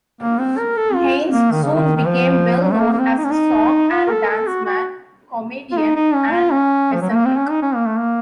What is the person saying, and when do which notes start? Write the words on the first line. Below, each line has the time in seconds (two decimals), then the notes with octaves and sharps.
Haines soon became well known as a song-and-dance man, comedian, and eccentric.
0.21 A#3
0.39 C4
0.58 A#4
0.77 A4
0.95 F4
1.32 A#3
1.51 D#3
1.63 C#3
1.74 D#3
1.96 D#3
2.07 F3
2.65 F#3
2.72 A3
2.80 A#3
2.93 A#3
2.99 C4
3.18 D#4
3.24 C#4
3.32 D#4
3.92 F4
4.07 A#4
4.10 A4
4.23 A#4
4.29 A4
4.47 F#4
4.65 F#4
5.72 F4
5.78 D#4
5.95 D#4
6.14 C#4
6.32 F4
6.52 C#4
6.93 F3
7.02 F#3
7.10 A3
7.17 A#3
7.25 C4
7.37 C#4
7.50 D#4
7.62 C#4
7.75 A#3
7.87 A3
7.99 A#3